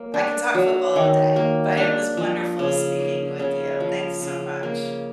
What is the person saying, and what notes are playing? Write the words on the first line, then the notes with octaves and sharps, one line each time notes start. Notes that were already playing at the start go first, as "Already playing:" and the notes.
I could talk football all day, but it was wonderful speaking with you, thanks so much.
Already playing: F#3 A#3
D4
F#3
D#3
A#3
D4
F3
C#3
A#3
C#3
F3
C#3
A#3